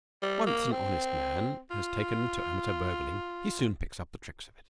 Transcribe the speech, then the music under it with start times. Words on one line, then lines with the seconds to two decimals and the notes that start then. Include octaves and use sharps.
Once an honest man has taken to amateur burgling he soon picks up the tricks of it.
0.22 G3
0.46 A#3
0.72 C4
1.70 F4